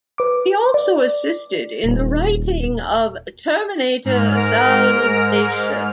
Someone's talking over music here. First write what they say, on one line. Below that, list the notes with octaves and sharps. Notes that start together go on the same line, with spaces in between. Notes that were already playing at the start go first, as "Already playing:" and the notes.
He also assisted in the writing of "Terminator Salvation".
B4 D6
D5
D#1
G#2 F6
A#4